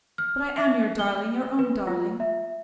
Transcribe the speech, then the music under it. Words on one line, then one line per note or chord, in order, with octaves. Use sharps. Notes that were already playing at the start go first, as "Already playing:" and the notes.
But I am your darling, your own darling.
F6
E5
G7
B4
F4
E5